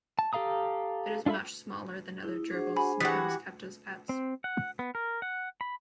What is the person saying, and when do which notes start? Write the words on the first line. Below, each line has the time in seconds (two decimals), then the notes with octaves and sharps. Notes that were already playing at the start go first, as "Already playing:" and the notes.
It is much smaller than other gerbils sometimes kept as pets.
0.19 A5
0.33 G4 A4 F5 A#5 D#6
1.26 D4 F4 A4 E5 B5
2.23 E4 G#4
2.51 D4 F#4 G#4 C5
2.76 F#4 G#5 B5
3.00 E3 F#4 G4 F#5 D#6 A6 B6
4.09 C4
4.44 F#5
4.79 B3
4.95 A#4
5.22 F#5
5.61 B5